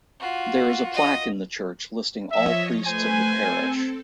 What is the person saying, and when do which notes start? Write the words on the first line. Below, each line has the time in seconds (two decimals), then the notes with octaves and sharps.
There is a plaque in the church listing all priests of the parish.
0.20 F4 F#4
0.94 D#5
2.31 F3 C#5 D#5 E5
2.85 A3 B4 C5 G#5
3.30 C4 A4